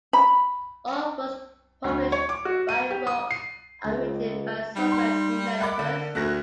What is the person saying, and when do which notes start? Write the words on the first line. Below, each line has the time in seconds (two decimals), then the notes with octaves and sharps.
All books published by Wrox are written by software developers.
0.13 B5
1.84 D2
2.12 C#5
2.29 D6
2.45 F#4
2.69 D#7
2.91 G4
3.07 D#6
3.31 C7
3.84 C#2
4.76 G3 D#4
4.92 C6
5.61 A#4 F#5 B5 D6
5.79 D3
6.15 D2 A3 F#6 A#6